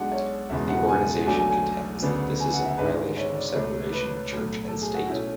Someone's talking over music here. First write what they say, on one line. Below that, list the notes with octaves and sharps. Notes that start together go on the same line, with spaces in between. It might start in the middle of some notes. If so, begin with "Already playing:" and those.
The organization contends that this is a violation of separation of church and state.
Already playing: B1 B2 G#3 D4 F#5
C#5
E1 E2 C#3 E3 G#3 E5
F#5
G#5
B1 B2 F#3 A3 D4 G#5
G#5
G#5
D2 C#3 F#3 B3 D4
G#5
F#5
E5
G#1 G#2 G#3 D4 B4
C#5
D5
C#2 B2 A3 C#5
B4
B1 A2 F#3 A3
A4
G#4
F#4
B1 B2 A3 C#4 E4